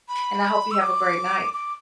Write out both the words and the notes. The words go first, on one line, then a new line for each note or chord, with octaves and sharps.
and I hope you have a great night.
B5
E6
D6
D6